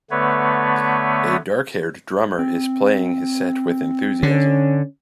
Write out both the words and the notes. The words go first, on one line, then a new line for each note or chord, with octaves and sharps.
A darkhaired drummer is playing his set with enthusiasm.
D3 A3 B3 B4 C#5
C4
D3 C#4